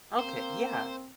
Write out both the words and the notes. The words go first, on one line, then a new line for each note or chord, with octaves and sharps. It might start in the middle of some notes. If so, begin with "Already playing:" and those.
Okay, yeah,
A#3 C4 C5